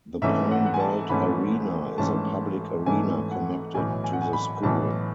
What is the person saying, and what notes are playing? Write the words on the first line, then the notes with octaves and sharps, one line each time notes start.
The Pine Belt Arena is a public arena connected to the school.
G#1 G#2 E3 A3 C#4 E5
F#5
F#5
G#5
A5
G#1 G#2 E3 A3 C#4 B5
G#1 G#2 E3 A3 C#4 A5
G#1 G#2 E3 A3 C#4 G#5
F#5
B1 A2 E3 G#5
G#5
F#5
G#5
B5
B1 A2 E3 A5